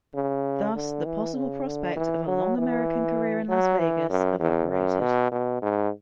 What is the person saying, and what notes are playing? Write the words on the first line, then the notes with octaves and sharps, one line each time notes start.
Thus the possible prospect of a long American career in Las Vegas evaporated.
C#3
D3
E3
C#3
D3
E3
F#3
E3
F#3
E3
F#2
E2
F#2
B2
B2
G#2